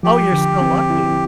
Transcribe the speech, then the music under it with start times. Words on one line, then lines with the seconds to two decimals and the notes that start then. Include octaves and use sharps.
Oh, you're so lucky.
0.03 F3 G4
0.32 D3
0.61 C4
0.90 E4